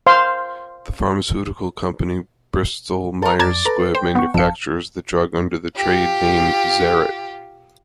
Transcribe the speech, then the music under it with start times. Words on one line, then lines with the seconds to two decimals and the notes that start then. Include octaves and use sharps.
The pharmaceutical company Bristol-Myers Squibb manufactures the drug under the trade name Zerit.
0.06 C5 F5 C6
3.22 A4 A#4
3.40 F2 D5 A5 A#5 G#6
3.65 A4 B4 A#5
3.95 C5 G5
4.15 B3 F#5 C#6
4.34 G1 F2 A4 F5 C#7
5.76 F4 G4